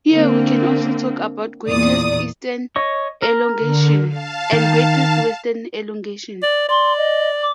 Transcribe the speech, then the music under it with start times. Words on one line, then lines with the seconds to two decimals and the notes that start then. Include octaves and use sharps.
Here we can also talk about "greatest eastern elongation" and "greatest western elongation".
0.10 D3 A#3 C4
1.68 E2 A#2 D5 D#6
2.76 C#5 D#5 C#6
3.22 A#4
3.58 D3
4.07 F5 A5
4.52 D#3
6.43 D5
6.69 D5 C6
6.96 D#5
7.41 D6